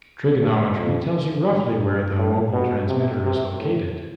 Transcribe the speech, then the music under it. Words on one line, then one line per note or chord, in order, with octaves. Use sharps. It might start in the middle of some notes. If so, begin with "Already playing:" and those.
Trigonometry tells you roughly where the mobile transmitter is located.
G2
F2
G2
G2
A2
B2
C3
C3
A2